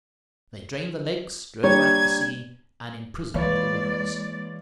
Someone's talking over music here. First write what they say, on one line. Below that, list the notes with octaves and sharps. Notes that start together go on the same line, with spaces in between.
They drained the lakes, drove back the sea, and imprisoned the rivers.
G3 A#3 D4 G4 C#5 G#6
E3 G#3 A#3 B4 C#5 D5 F5